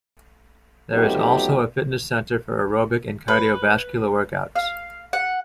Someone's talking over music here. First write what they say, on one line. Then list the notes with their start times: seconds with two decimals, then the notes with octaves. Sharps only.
There is also a fitness center for aerobic and cardiovascular workouts.
0.92 F2 F#3 A3 B3 D#4 G4
3.28 B4
4.56 F5
5.13 F#5